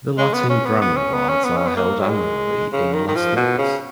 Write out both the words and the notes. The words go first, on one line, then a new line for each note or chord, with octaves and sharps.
The Latin Grammy Awards are held annually in Las Vegas.
G#3
B3
C#4
B3
B3
C#4
B3
C#4
B3
C#4
B3
A#3
F#3
G#3
C#3
D#3
D#3
F3
B2
C#3